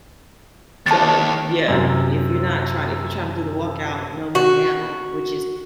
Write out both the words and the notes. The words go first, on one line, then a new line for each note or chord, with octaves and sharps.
so yeah, if you're not trying if you're trying to do the walkout, no money down, which is,
D#2 A5 A6
F#2 C3
F#4